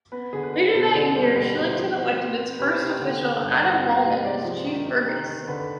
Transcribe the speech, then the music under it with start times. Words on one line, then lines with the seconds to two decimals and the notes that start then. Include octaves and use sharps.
Later that year Shillington elected its first official, Adam Rollman, as chief burgess.
0.12 B3 B4
0.33 D3 G#4
0.43 B4
0.54 B3 B4
0.67 C5
0.75 B2
0.81 C5
0.95 D3 D5
1.15 G3 C5
1.36 B2 B4
1.56 B2 C5
1.77 F3
1.98 C4
2.18 B3
2.39 B3
2.59 C3 B4
2.74 C5
2.80 C3
2.87 G5
3.01 D3
3.21 D3
3.42 G2
3.63 C4
3.83 C4
3.96 F5
4.04 C3
4.10 D#5
4.24 G#3 D5
4.44 F3
4.66 D#3
4.86 C3
5.06 D#3
5.27 D#3
5.48 D3 B4